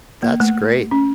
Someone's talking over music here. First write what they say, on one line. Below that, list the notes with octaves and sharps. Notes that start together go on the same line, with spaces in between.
That's great.
A#3
A3
C#4